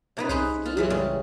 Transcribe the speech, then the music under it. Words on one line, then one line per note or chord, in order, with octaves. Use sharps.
I mean, skiing
C3 D#4 B4
C2 G#4 B4 C5
F4
F#2 E3 F#3
C#3 G3 G#3